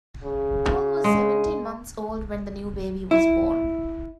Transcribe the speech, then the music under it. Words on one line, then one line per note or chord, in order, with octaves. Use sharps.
Paul was seventeen months old when the new baby was born.
C#3
G#3
E4